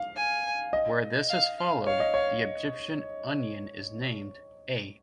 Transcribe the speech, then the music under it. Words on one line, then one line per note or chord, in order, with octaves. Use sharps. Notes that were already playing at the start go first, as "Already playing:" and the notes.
Where this is followed, the Egyptian onion is named A.
Already playing: F5
G#5
D#5
F5
F5
C#5 F5
D#5
C#5